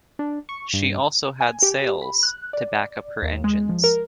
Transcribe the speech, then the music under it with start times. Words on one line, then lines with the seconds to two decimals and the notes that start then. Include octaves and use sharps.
She also had sails to back up her engines.
0.19 D4
0.49 C#6
0.73 G2
1.41 G#5
1.63 G4
2.02 B5
2.23 F#6
2.53 D5
3.22 D#2
3.44 G#3
3.69 F3
3.84 A#4